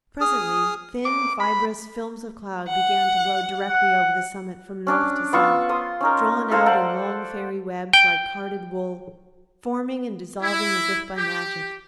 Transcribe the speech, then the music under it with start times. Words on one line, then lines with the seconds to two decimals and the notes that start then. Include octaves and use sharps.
Presently thin, fibrous films of cloud began to blow directly over the summit from north to south, drawn out in long fairy webs like carded wool, forming and dissolving as if by magic.
0.21 G#4 D#6 F6
1.05 D6
1.40 B5
2.68 F#5
3.69 F#5
4.87 C#4 D4 D6
5.33 B3 F4 C#6 E6
5.69 C6 D#6
6.01 C#4 D#4 A#4
6.51 A4 A#4 C5 F5
6.66 A4 C5 D5 F#5
7.93 G5
10.41 E4
11.17 G4